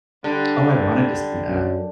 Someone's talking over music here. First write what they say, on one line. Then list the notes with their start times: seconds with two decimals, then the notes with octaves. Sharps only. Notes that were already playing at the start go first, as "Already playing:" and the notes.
Oh, I wanted to see that.
0.24 D3 G3
1.49 F#2